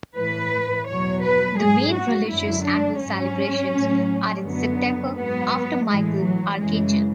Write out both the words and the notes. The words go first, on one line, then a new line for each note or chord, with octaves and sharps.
The main religious annual celebrations are in September, after Michael Archangel.
A2 E3 B4
E2 B2 F#3 C#5
B4
G#2 F#3 G#4
F#4
F#2 D3 F#3 E4
D4
G#2 F#3 C#4
A2 F#3
F#2 D3 F#3 B3
G#2 F#3 B3
A2 E3 G#3
F#3
F#2 C#3 E3 G#3